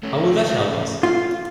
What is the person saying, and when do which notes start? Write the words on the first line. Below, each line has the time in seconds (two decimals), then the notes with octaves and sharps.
How will that help us?
0.03 A3 C#4
1.03 F4